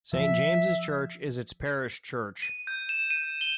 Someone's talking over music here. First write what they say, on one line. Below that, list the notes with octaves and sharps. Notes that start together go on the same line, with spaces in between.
Saint James' Church is its parish church.
F3 E5
D#7
G6
E7
D#7
G7